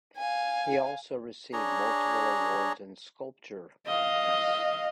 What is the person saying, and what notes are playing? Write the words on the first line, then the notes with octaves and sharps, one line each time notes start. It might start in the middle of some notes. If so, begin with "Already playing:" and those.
He also received multiple awards in sculpture contests.
F5 G#5
D4 G#4 C#5 A#5
D#5 F5